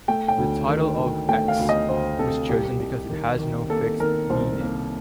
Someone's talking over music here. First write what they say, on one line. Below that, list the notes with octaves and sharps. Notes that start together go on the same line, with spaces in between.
The title of "X" was chosen because it has no fixed meaning.
A3 G5
G5
D2
D#3
D2
A3 G5
F5
D2
D#5
D2 C5
C3 A4
C2 G4
C2
D#3
D#3
A#3 A4
D#3 A#4
C2 C5
A#3